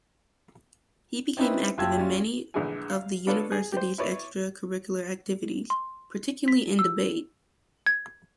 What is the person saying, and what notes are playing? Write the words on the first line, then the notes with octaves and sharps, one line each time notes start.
He became active in many of the university's extra-curricular activities, particularly in debate.
C4 C#4 D#4 E4 B4
F#1 F4 G4 A5 E6 G#6
G3 C#4 F4
A#1 D3 E3 G#3 E4 G#5
F5
B3 D4 F4 A4 B4 C#5
G#4
G4 C5
E4 B4 C#5 D5
C6
B6
E6
G#6